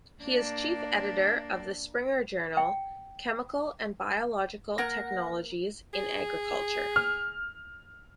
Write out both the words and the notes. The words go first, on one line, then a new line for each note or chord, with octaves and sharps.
He is chief editor of the Springer journal "Chemical and Biological Technologies in Agriculture".
A#3 D4
G5
A#3 A#4 F#5 A#5 A#6
G#4
F6